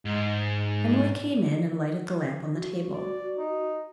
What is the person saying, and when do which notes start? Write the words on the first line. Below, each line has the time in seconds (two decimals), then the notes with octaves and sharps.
Emily came in and lighted the lamp on the table.
0.05 G#2
2.53 F#4
2.92 D5
3.38 D#4